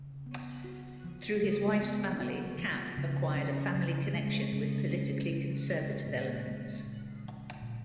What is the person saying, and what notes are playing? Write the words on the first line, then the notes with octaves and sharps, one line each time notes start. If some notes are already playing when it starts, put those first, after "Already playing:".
Through his wife's family, Kapp acquired a family connection with politically conservative elements.
Already playing: C#3
B3
F#4
F3
C#3
B3
F#4
F3
C#3
C#4
C#3
G#3
C#3
C#4
C#3
G#3
A#2
G#3
A#2
F3
A#2